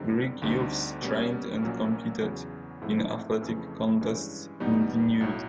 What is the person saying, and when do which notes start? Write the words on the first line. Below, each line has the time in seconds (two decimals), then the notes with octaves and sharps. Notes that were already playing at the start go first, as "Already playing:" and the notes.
Greek youths trained and competed in athletic contests in the nude.
Already playing: F#2 D3 G3 C4 D#4
0.42 D2 D3 G3 C4 D#4
1.02 B2 G3 A#3 C#4
1.63 A#1 A#2 F#3 A#3 C#4
2.21 E2 C#3 F#3
2.81 G#2 F3 A3 C4 E4
3.41 F2 C#3 E3 A3
4.01 G2 E3 G#3 C#4
4.60 E2 B2 G3 B3 D#4
5.21 B1 A2 F#3